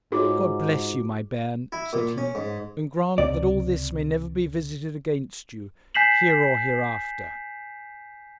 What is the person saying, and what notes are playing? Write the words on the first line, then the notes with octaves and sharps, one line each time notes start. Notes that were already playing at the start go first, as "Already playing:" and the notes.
'God bless you, my bairn,' said he, 'and grant that all this may never be visited against you, here or hereafter!'
G#2 D#4 F4 F#4 G#4 A4 C#5 D6
E4
A#2
C#4
G#2
C#2 C3 D5
G#5 G6 B6 C7 E7 F#7